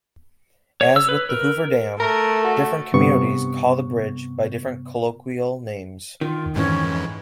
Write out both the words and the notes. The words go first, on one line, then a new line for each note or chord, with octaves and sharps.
As with the Hoover Dam, different communities call the bridge by different colloquial names.
C#5
E6
B4
A#4
A3 A#4
F#4
G2 C3 B3 C#6
D#3 F4
F2 G#2 E3 C#4